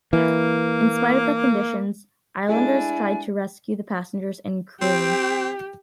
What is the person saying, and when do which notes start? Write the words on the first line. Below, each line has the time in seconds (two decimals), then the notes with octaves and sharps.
In spite of the conditions, islanders tried to rescue the passengers and crew.
0.13 E3 A#3
2.49 G#3 A3 D4 E4 G#5
4.82 C4 G4